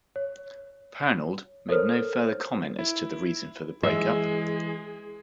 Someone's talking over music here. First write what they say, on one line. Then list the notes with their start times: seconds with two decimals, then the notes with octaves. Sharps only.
Pernald made no further comment as to the reason for the break-up.
0.16 C#5
1.69 A4 A#4 C5 C#5 F6
2.79 E4
3.83 E3 G#3 G#4 E5